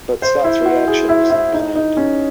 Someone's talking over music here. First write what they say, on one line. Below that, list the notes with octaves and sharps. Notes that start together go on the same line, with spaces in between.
But Scott's reaction was unkind.
C5
E4
F#4
G#4
E4
E4
D#4
D#4
C#4